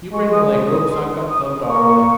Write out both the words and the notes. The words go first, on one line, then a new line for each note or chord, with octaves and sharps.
You bring the leg-ropes--I've got the dog-leg.
G#3 C#6
D#6
D#6
C6
D#6
A#3 C#6